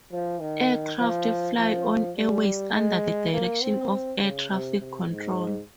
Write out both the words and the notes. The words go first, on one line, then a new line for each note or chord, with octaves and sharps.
Aircraft fly on airways under the direction of air traffic control.
F3
D#3
F3
F3
G3
G#3
A#3
C4
C#3
C3
C3
G#2